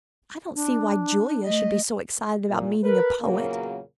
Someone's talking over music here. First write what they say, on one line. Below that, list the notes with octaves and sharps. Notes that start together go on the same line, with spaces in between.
I don't see why Julia should be so excited about meeting a poet.
D4
A3 D#5
A#2
A#4 B4
E2 A#2 C#3 F#3 A#3